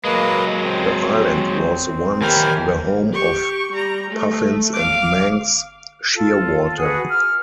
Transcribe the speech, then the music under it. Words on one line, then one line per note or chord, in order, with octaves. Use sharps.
The island was once the home of puffins and Manx shearwater.
F#3 G#3 A#3 B4 D#5
C4
D#2 E3 G4 A#4 G#5
G4 C#6
G3 A#5
A3
F5 D6
F4 A4
F#4 G#4 B4 F#5
F6